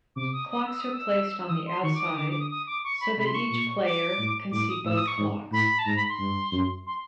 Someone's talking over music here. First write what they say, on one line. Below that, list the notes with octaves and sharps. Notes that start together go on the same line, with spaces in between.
Clocks are placed on the outside so that each player can see both clocks.
C3 D6
D#6
D#6
E6
D#6
E6
E6
E3 D#6
C6
D#3 C#6
D6
D#6
D3 D6
D6
D#6
D#6
D6
C#6
B5
C3 B5
C6
C#6
A#2
D6
A2
A2 D6
D#6
A2 E6
D#6
C#6
G#2
A2 B5
A5
G#2 A#5
B5
C6
G2
F#2
C6